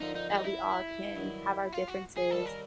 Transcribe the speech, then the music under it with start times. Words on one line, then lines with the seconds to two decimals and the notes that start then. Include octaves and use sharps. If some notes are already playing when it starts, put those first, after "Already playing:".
That we all can have our differences,
0.01 D3 F3 A#3 D4 D#4
0.15 D#4
0.30 D#4
0.44 E4
1.16 G2 D#3 F#3
1.73 F4
1.88 F#4
2.17 G#4
2.31 D#2 D#3 G3 A#3 C#4 A4
2.46 A#4